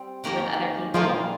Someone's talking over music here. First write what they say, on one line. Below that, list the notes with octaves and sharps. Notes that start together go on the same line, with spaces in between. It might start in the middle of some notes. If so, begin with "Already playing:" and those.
with other people,
Already playing: G3 C4
F2 D#3 A#3 C#4 G4
A#2 F3 G3 A#3 F4 G#4